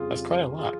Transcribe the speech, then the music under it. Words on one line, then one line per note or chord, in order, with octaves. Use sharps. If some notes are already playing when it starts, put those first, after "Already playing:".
That's quite a lot.
Already playing: F2 C#3 G3 F4 G#4
F3 F4 G#4